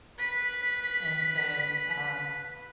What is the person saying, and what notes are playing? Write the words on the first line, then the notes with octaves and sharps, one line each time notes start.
And so, uh,
B4 B6